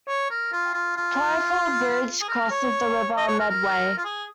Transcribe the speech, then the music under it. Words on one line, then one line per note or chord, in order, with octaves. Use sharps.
Twyford Bridge crosses the River Medway.
C#5
A#4
F4
F4
F4
G#4
A#4
C#5
D#5
C#5
A#4
A#4
F4
G#4